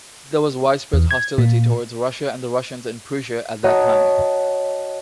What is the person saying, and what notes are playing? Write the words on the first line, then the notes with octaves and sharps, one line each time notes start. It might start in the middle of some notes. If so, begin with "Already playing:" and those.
There was widespread hostility towards Russia and the Russians in Prussia at that time.
E2
G#6
A#2
F#4 C#5 D#5 F#5 A5 A#5